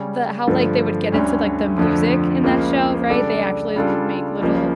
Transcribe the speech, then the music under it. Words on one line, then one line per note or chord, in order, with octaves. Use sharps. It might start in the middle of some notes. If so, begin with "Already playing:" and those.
the how, like, they would get into, like, the music in that show, right? They actually would make little
Already playing: C#3 G3 C#4
G2 D3 F3 A3
D2 D3 G3 C#4
F2 D3 F3 A3
C#2 C#3 F3 A#3
C#3 G3 D4 A4 D5
C#3 G3 D4 F4 A4
C#2 C#3 F3 A#3